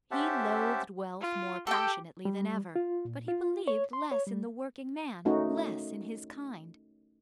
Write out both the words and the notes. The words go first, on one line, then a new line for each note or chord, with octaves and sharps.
He loathed wealth more passionately than ever; but he believed less in the working man, less in his kind.
C#4 G4 C5 E5 F#5 A5
F4
G4 A4 G5
G3
F4
A#2
F4
C#5
C6
C#5
G3
A3 C#4 D#4 F#4